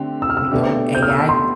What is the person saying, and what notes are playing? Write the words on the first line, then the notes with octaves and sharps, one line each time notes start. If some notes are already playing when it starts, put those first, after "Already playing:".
you know, AI
Already playing: D3 A3 C4 G4
E6
F6
E6
B2 A3 D4 G4
G6
F6
E6
C6